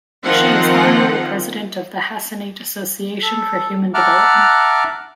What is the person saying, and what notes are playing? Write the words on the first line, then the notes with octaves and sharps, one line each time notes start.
She is Honorary President of the Hassanate Association for Human Development.
D#3 F3 C4 F4 F#5
A4
E5 F#5 A5 A#5 D6 F6